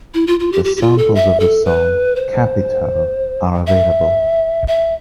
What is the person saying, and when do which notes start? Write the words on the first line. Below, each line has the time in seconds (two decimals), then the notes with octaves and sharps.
The samples of the song “Capito?” are available.
0.14 E4
0.27 F4
0.40 F4
0.52 G4
0.65 G4
0.77 G4
0.81 F4
0.98 A4
1.15 E5
1.40 A4
1.65 B4
2.16 C5
3.67 E5
4.68 E5